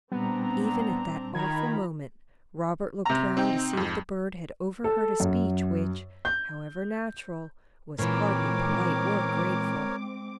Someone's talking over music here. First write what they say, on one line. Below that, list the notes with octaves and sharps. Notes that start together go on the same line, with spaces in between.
Even at that awful moment Robert looked round to see if the bird had overheard a speech which, however natural, was hardly polite or grateful.
A#2 G3 B3 C4 D4 A#5
D#3 F4 A#5 B5 G#6
C3 A#5
C4 D#4 G5
F2 G#2
A4
F#2
G6
A#2 E3 G#3 C4 A#4 C#5 D6